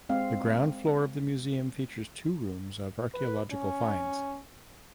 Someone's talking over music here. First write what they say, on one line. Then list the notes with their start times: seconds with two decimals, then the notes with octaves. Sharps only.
The ground floor of the museum features two rooms of archaeological finds.
0.09 G#3 C4 F5
3.14 B4
3.52 C#4